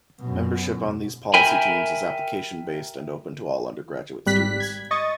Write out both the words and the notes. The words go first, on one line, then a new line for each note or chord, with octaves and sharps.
Membership on these policy teams is application-based and open to all undergraduate students.
F#2 B2
A#4 E5 G5 G#5 B5
G#1 G3 F#6 B6
G#6
D#5 C#6 D#6 A6